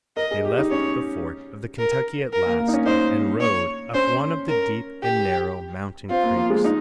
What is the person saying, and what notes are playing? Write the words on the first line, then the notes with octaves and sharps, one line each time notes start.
They left the fork of the Kentucky at last and rowed up one of the deep and narrow mountain creeks.
A#4 D#5
G#4
G4
D#4
C#4 C#5
A#4
A#4
A#3
A#3
D#4
C#4
D#4 C5
C#5
C#4 C5
A#4
G4
C4 F4
A#3
F3
G#3
D#4